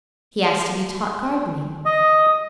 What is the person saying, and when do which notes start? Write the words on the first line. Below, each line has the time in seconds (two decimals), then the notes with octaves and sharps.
He asked to be taught gardening.
1.85 D#5